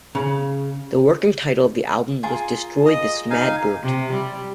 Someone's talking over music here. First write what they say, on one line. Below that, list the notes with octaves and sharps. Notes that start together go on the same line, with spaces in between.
The working title of the album was Destroy This Mad Brute!
C#3
F4 G#4 A#4
D#5 D#6
D#4 F5 G#5
C3
G3